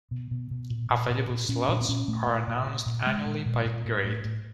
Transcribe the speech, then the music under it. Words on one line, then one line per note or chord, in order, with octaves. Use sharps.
Available slots are announced annually by grade.
B2
B2
B2
A#2
A#2
A#2
A#2
A#2 C#4
A#2 D4
C4
A#2 C#4
A#2 A3
A#2
A#2
A#2
A#2
A#2 G#3
A#2
A#2
A#2
A2
A2
A2